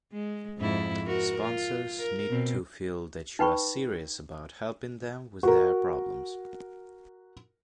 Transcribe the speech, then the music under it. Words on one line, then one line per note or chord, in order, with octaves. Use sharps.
Sponsors need to feel that you are serious about helping them with their problems.
G#3
F2 G#2 E4
F#4 A#4
F4
A#4
B2 C4
D#4 B4 G5 B5 C#6
F#4 A#4